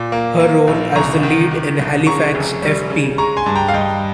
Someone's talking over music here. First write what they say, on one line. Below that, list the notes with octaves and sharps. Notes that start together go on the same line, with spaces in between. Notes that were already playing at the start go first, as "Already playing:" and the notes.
Her role as the lead in Halifax f.p.
Already playing: A#2
A#3
A#3
A#1
C2 A#5 C#6
D#3
D#3
C2
C#3 A#5 C#6
F1
G3
C#3
G#3 A#5 C#6
G#5 C6
G2
G5 A#5
F5
G2 D#5 G5